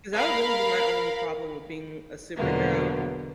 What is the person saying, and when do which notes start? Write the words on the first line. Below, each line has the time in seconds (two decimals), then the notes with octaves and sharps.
'Cause that would really be my only problem with being a superhero
0.15 A#4 F5 B5
2.36 E2 B2 D3 F#3 A#3 B3